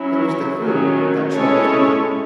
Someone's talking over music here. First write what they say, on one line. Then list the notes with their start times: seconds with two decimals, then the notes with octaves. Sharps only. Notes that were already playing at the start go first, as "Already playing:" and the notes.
It was the crew that troubled me.
Already playing: F#3 C#4 E4
0.59 D#3 F#3 A3 C#4
1.33 G#3 C#4 E4 A4 C#5